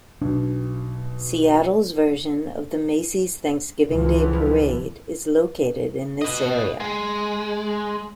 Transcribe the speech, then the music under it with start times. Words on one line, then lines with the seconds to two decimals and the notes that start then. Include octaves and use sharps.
Seattle's version of the Macy's Thanksgiving Day Parade is located in this area.
0.22 B1 D4
3.91 C#2 E3 F3
6.22 B4 D#5
6.80 G#3